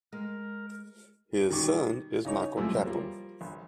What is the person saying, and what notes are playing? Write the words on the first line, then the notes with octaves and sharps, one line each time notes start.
His son is Michael Chaplin.
G#3 A#4
B2 D#3 G3 C#6 D6
C#3 D#4 C#5
F#2 C3 G#3 A3 E4 F4
F3 G3 A#3
A#1